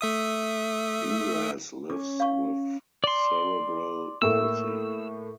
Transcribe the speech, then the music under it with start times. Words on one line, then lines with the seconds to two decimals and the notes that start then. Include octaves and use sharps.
Gingras lives with cerebral palsy.
0.01 A3 E5 D#6
1.90 C#4 D6
2.20 F5 C#6
3.04 D5 C6
4.22 A2 A3 A#3 E6